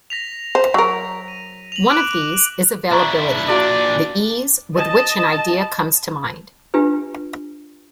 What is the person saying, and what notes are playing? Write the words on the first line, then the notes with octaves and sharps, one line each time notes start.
One of these is "availability": the ease with which an idea comes to mind.
A#6 B6 F7
C5
F#3 A#4
D#7
F7 F#7
D6 F#6 D7
D4 E4 F5 A#5 C#6
A#2 D4 E4 F#4 D5 F5
D#5 A5
D4 F4 G4 B4